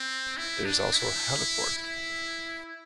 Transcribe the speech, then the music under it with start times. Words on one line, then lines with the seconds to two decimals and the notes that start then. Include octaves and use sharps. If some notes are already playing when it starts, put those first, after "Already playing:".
There is also a heliport.
Already playing: C4
0.37 E4
0.65 D4
0.94 E4
1.78 E4